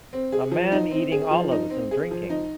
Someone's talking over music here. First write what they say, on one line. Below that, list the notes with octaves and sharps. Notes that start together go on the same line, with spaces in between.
A man eating olives and drinking.
C4
G#4
F3
D#4
C4
G#4
F3
D#4
C4
G#4
F3
D#4